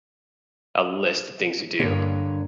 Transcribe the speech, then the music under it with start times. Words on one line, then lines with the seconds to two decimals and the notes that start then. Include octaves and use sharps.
a list of things to do,
1.79 G2 D3 A#3 C#5